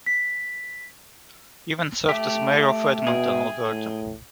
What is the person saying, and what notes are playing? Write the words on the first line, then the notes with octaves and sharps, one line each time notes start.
Evans served as Mayor of Edmonton, Alberta.
B6
A3 G4 E5
B2 G#4 G5
A2